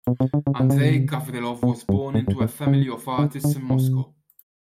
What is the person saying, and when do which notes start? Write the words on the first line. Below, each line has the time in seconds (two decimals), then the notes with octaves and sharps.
Andrei Gavrilov was born into a family of artists in Moscow.
0.07 B2
0.20 C3
0.34 D3
0.47 C#3
0.60 C3
0.70 C#3
0.81 C3
1.63 B2
1.89 G2
2.14 A2
2.28 G2
2.41 A2
2.67 C#3
3.18 D3
3.44 D3
3.70 C3